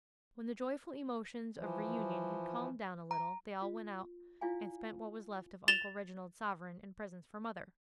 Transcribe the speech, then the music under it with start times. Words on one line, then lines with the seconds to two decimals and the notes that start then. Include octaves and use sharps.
When the joyful emotions of reunion had calmed down a little, they all went out and spent what was left of Uncle Reginald's sovereign in presents for mother.
1.57 E3 F3
3.11 A#5
3.62 F4
4.41 E4 F4 D5 F5 G#5
5.68 A6 E7 F7 G7